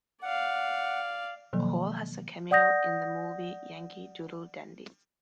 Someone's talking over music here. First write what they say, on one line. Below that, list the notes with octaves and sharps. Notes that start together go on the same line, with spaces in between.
Hall has a cameo in the movie Yankee Doodle Dandy.
D5 F5 F#5
B2 D#3 F3 F#3 A#3
D5 F#5 D#6 G6 A#6